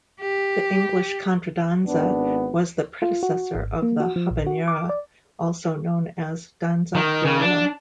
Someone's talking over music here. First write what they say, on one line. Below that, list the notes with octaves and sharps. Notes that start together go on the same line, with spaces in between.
The English contradanza was the predecessor of the "habanera", also known as danza criolla.
G4
G#1 B3 D4
F4
F#4
G#1
A#3
F#4
F3
A#1
F#4
D6
D5
D#3
C#3
D4